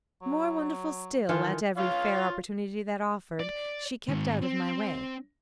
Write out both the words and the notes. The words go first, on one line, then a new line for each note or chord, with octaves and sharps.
More wonderful still, at every fair opportunity that offered, she kept out of my way.
F#3
D#3 E3 F4 A4
F4 C#5 F5
D5
G#2 D#3
C4